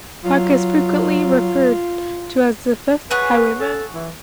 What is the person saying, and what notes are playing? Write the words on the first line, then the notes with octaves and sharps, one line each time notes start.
Clark is frequently referred to as The Fifth Highwayman.
F#3 F4
G#4 B4 C#5 F#5
A4
E3